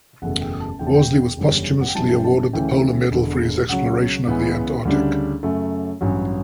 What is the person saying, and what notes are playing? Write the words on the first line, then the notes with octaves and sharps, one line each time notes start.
Worsley was posthumously awarded the Polar Medal for his exploration of the Antarctic.
F#1 E2 B2 A3 F#5
G5
A5
E1 E2 D3 A3 G5
A5
G5
F#1 E2 D3 G3 C#4
F#5
G5
F#1 F#2 E3 G3 A5
G5
A5
D2 C#3 E3 A3 C#4 G5
E1 E2 D3
C#2 C#3 F#3 F#5
C#2 C#3 E3 B3
D2 C#3 G3 D4
F#2 C#3 F#3 A3
A1 G2 F#3